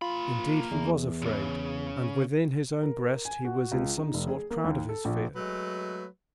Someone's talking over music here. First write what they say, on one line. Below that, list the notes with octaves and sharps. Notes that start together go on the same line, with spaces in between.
Indeed he was afraid, and within his own breast he was in some sort proud of his fear.
A#3 F4 B5
E2
B1 C#3
A#4
G#5
F#4
C#2
D#4
F1
G#4
A#3
D#2
A4
A#1
F#3 G#3 A3 B4